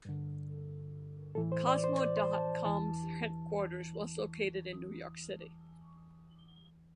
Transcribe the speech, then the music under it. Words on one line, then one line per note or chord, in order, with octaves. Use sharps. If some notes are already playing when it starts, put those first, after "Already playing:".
Kozmo dot com's headquarters was located in New York City.
G2 D3
A2 E3 A4
C5
D5
C5
D5
C5
A5
E2 E3 A5